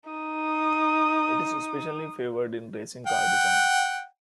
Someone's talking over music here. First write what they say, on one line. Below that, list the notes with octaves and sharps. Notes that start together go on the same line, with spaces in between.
It is especially favored in racing car design.
D#4 D#6
F#5 G5